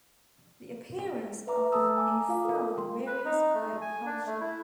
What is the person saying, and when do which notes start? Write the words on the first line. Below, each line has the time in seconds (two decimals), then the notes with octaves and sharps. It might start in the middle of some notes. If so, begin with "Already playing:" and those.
The appearance of a frown varies by culture.
1.47 B4 E5 A#5 D6
1.72 A3 A4 E5 A5 D#6 E6
1.97 G#5 A#5 D6 D#6
2.29 F4 F5 D6
2.45 A4 A#4
2.74 G5 C6
3.07 B4
3.25 D#4
3.54 A3
3.81 G#5
4.06 D4
4.27 A3
4.41 E4